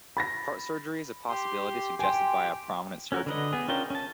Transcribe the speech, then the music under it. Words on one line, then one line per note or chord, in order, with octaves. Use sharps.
Heart surgery is a possibility suggested by a prominent surgeon.
B5 A6 A#6
G4 C6
G4 G5 G#5 C6
C#4 F#4 A#4
D3 B4 D#5
B3 G#4
C#4 D4 F4 A#4 G5
C#4 A5